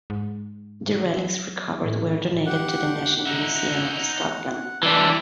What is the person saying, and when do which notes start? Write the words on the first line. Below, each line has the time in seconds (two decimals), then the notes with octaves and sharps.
The relics recovered were donated to the National Museum of Scotland.
0.10 G#2
1.17 F#3
1.84 A2
2.46 G4 F#5
3.26 D#4 E5 F#5
4.83 E3 G3 D4